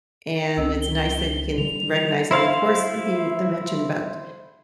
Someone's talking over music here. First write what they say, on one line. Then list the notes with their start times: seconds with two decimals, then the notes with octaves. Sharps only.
and it's nice that you can recognize and, of course the the mention about,
0.57 C#2 C4 C#4 E6
0.81 G7
1.58 D3 G3 F7
2.31 E4 C5 E5 F5